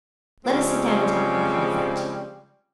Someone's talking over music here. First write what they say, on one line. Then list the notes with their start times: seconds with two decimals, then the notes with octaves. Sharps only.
Let us sit down and talk in comfort.
0.45 C#3 F3 G3 G#3 C4